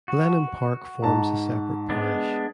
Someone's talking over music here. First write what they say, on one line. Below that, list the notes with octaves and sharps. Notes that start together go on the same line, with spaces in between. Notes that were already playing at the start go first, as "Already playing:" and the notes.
Blenheim Park forms a separate parish.
F#4
G#2 A5 A#5
G#3 B3 D4